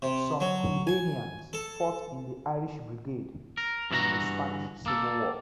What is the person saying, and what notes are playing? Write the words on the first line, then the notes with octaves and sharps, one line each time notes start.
Some Hibernians fought in the Irish Brigade in the Spanish Civil War.
C3
F#3
G#5
A4
A#4
G2 E3 E4 F#4 A#5
A#3 A4